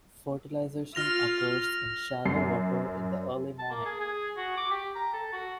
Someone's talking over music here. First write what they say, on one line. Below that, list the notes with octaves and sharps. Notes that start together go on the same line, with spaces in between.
Fertilization occurs in shallow water in the early morning.
F4 F6 A#6 F7
F#2 C7
A5
A#3
G#4
G#4
F#4
D6
G4
A#5
A4
F#4